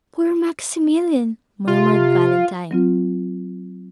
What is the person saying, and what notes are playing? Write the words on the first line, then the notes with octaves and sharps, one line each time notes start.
"Poor Maximilian!" murmured Valentine.
C3 F4
F#3 C4 F4